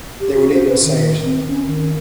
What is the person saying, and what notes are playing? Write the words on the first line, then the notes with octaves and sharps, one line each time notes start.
They would even say it.
G4
F#4
C5
B4
D#3
C4
C#4
D#3